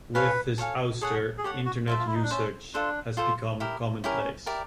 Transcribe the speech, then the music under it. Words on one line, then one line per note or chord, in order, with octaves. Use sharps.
With his ouster, Internet usage has become commonplace.
A4 B4 C#5 F5 G#5
A4 C#5 F5 G#5
G#4 A4 C#5 F#5
G#4
G4 A4 C#5 F#5
F#4
F4 C5 E5 A5
F4
E4
D#4
D4
C#4 C5 E5 A5
D4 F4 A4 C5
F4 A4 C5
E4 G4 A#4
C#4 E4 G4 A#4
E4 G4 A#4 D5